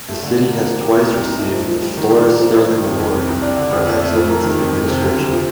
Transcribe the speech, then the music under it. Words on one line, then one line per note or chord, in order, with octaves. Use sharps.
The city has twice received the Florida Sterling Award for excellence in administration.
A3
D3
D3
A#3
F3
G4
A#2
C2
D#4
A3
F3
F3
G3
D#3
D4
A#3
F3
C5
D#3
F2
F2
C3
C2
D4
D3
F2
F2
A3
F3
A#4
D#3
F2
F2
C3
D2
D2
F3